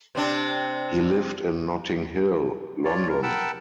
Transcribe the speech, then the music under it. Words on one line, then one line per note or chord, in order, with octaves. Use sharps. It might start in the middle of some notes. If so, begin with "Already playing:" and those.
He lived in Notting Hill, London.
C3 C4 D4
F4 C#5 D5
A#4
A#4 F#5 G5 A5 B5 E6